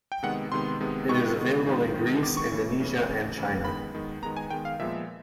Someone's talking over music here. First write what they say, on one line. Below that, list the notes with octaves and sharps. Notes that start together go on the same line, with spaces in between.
It is available in Greece, Indonesia and China.
G5
C3 D#3 G#3 B3 F#5
C3 D#3 G#3 B3 C6
C3 D#3 G#3 B3
C3 D#3 G#3 B3 C#6
D#3 G#3 B3
D#3 G#3 B3
D#3 G#3 B3
D#3 G#3 B3 D6
C#6
C#3 E3 A3
C#3 E3 A3
C#3 E3 A3
C#3 E3 A3
D#3 G#3 B3 B5
D#3 G#3 B3
D#3 G#3 B3 A#5
G#5
D#3 G#3 B3 G5
F5
A#2 F3 G#3 B3 E5